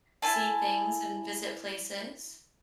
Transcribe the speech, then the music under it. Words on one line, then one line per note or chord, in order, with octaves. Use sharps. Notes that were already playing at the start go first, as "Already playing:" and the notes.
see things and visit places.
E4 G#5 A5